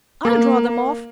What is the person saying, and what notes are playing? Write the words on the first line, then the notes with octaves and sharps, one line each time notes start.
I'll draw them off!
A#3